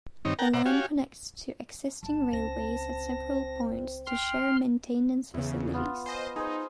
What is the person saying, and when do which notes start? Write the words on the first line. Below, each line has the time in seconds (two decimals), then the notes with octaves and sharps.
The line connects to existing railways at several points to share maintenance facilities.
0.25 G2 D#3 C4 D#4 C#5
0.39 A#4 F#5 G5 A5 A#5
0.53 B2 C5 D5 E5 F#5 A#5
0.66 F#4 G4 C#5 F5 G#5
2.03 G1 A5
2.33 C#2 C4 A#6
4.07 G5 C6 F6
5.34 E2 C#3 E5
5.73 B3 F4
6.06 C5 D#5 G#5
6.36 D#4 G#4 C5